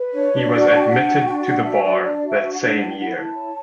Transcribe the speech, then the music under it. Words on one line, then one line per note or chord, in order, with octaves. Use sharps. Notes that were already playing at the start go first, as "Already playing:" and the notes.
He was admitted to the bar that same year.
Already playing: B4
D4 C#5
D4
F#4 D5
D4 A5
G5
D4 F#5
F#4
D4 G5
G5
D4 F#5
F#4 E5
D4 D5
D4 D5
F#4
E5
D4
F#5
D4
E4 F#5
G5
E4 F#5
E4 A5
C#5